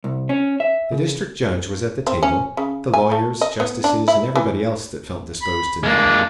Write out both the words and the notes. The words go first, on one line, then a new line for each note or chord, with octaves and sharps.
The district judge was at the table, the lawyers, justices, and everybody else that felt disposed to dine.
C2
C#4
E5
C#3
C4
C#4
C#3
G#5
A3
D#5
B3
D4
E4
E3
B5
G#3 A#3 D4